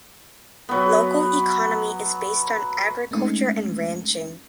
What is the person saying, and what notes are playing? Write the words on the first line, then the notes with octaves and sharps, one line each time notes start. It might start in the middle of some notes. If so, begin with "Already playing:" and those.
Local economy is based on agriculture and ranching.
F#3 B3
G#3 A3 C4 C#4 D#4